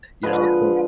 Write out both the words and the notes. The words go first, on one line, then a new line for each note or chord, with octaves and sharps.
you know? So
D3 F3 G#3 B4